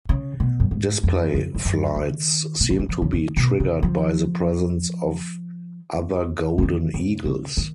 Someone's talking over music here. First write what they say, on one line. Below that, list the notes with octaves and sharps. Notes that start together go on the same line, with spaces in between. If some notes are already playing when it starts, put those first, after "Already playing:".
Display flights seem to be triggered by the presence of other golden eagles.
C#3
B2
F#2
G#2
F2
F2
F2
F#2
D#3
B2
C#3
D#3
F3
C#3
D#3
B2
C#3
F3
C#3
D#3
C#3
C#3
D#3